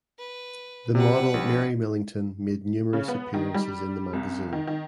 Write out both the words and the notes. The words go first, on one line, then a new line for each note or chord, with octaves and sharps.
The model Mary Millington made numerous appearances in the magazine.
B4
C3 G3 B4 F#5
A#1
C#3
B3
D#3
G3
C2
D#3
D#3